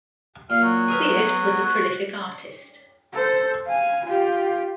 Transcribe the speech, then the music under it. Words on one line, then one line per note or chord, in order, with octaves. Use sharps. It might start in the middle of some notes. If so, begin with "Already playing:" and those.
Beard was a prolific artist.
A#2 F5
F#3
G#4 A#4 B4
B3
F#4
A4 C5
F5 G#5
F4 G4